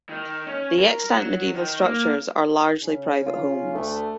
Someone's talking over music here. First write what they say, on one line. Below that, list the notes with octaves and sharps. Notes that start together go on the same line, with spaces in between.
The extant medieval structures are largely private homes.
D#3
C#4
A#4
F#3
D#3
A#3
C#3 C#4
F4
D2 A3